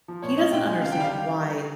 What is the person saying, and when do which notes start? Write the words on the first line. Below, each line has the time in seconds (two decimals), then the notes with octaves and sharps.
He doesn't understand why
0.08 F3
0.22 A#2 C#5
0.37 G#3 D#5
0.52 A#2 G5
0.67 G#3 G#5
0.82 C#3 F5
0.92 G5
0.97 G3 F5